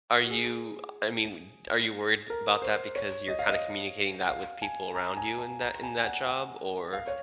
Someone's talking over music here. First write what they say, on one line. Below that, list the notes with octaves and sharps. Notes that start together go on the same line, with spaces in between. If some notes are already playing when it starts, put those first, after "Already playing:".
Are you I mean, are you worried about that because you're kinda communicating that with people around you in that in that job, or,
F#4
G#4
A#4
C5
C#5
D#5
F5
D#5
F#5
F5
G#5
A#5
G#5
G#5
A#5
G#5
F#5
F#5
F5
C#5